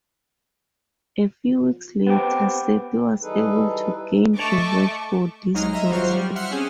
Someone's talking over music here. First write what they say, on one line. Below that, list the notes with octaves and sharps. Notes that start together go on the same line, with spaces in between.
A few weeks later, Seppi was able to gain revenge for this loss.
B3 C4 G4
E3 G3 D#4 G#4 A4 B4
A3 D#5 A5 C#6 D6
C2 F#3 G#3 D#4 A#5 F6
D#5 E5 A#5
G#1 F#3 F4 C5 C#6 F6
G3
E5 F#5 C6 F6 F#6 C#7
C4 C#4 G#4